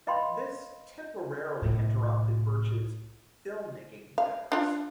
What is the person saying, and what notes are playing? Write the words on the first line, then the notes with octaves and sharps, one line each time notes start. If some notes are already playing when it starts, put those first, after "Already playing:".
This temporarily interrupted Birch's filmmaking endeavors.
B4 D#5 F5 G5 B5 C6
C2 A2
F5
D4 F4